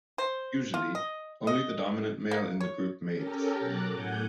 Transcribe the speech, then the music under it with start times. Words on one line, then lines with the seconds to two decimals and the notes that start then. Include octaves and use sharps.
Usually, only the dominant male in the group mates.
0.18 C5
0.74 F4
0.95 D#5
1.47 D#5
2.31 A#3
2.61 C#5
3.13 C#4 G4 A4 A#4
3.60 B2 F#3 A#5 D6 F#6 A6
3.91 A2 F#5 G#5 G6